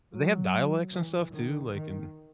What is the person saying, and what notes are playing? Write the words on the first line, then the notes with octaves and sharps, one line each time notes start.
They have dialects and stuff too, like in
F#3
E3
D#3
D#3